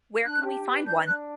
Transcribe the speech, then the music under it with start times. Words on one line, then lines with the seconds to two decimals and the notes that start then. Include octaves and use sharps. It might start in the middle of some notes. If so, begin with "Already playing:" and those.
Where can we find one?
0.24 D4 F#6
0.44 G4
0.65 B4
0.85 D4 G6
1.06 D4 F#6